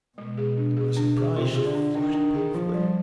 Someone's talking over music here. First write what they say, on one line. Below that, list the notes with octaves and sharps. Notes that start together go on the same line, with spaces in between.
To my surprise, she flushed painfully.
B2 G#3
G#4
D4
G#4
D4
G#4
C3 F4
G#4
D3
D4
D#3 D4
D4
G#4
F3 F4
G3